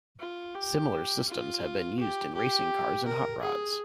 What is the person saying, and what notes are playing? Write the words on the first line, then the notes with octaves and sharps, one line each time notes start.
Similar systems have been used in racing cars and hot rods.
F4
G4
F4
G4
G4
A#4
G#4